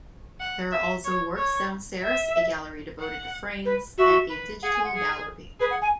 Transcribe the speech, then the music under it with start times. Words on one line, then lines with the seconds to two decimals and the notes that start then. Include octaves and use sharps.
There are also works downstairs, a gallery devoted to frames, and a digital gallery.
0.40 F#5
0.72 E5
1.04 C#5
1.37 C#5
2.03 E5
2.35 E5
3.01 F#5
3.65 B4
3.98 F#4 E5
4.29 B4
4.63 G#4 F#5
4.74 G#5
4.84 F#5
4.95 G#4
5.60 G#4 B4
5.71 F#5
5.82 G#5